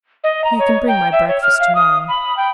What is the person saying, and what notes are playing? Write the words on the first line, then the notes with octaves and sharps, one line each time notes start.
"You can bring my breakfast to-morrow."
D#5
A#5
C#5
G5
E5
C#5
F6
F5
D#6
B5
G5